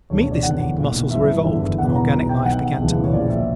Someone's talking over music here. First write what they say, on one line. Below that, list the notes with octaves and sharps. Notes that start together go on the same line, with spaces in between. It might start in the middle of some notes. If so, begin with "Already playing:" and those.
To meet this need muscles were evolved, and organic life began to move.
E1 D2 D3 C#5
C#5
D5
F#1 E2 D3 F#5
B1 A#2
G1 G2 E3 E5
F#1 E2 D3
E1 E2 B2 F#5
A#5
B1 B2 A#5
G5
B1 B2 F#5
E1 D2 C#3 E3
C#5
A#1 A#2 D5
E5